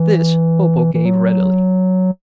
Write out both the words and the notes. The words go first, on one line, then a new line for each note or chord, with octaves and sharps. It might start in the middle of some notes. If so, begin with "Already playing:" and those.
This Bobo gave readily.
Already playing: E3
E3
F#3